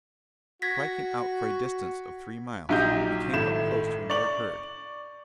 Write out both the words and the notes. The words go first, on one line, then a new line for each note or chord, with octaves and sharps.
Striking out for a distance of three miles, we came up close to another herd.
F#4 G#6 A#6 B6
A#1 F#3 D#4 G4 G6
G#1 A2 A3 E7
D5 C#6 F#7